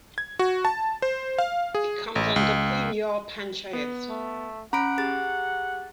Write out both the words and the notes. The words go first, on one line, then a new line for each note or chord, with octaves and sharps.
It comes under Poonjar Panchayath.
G#6
F#4
A5
C5
F5
G#4
A1
C#2
B3
A3
C#4 F#5 A#5 B5 D7
G4 G#4 A6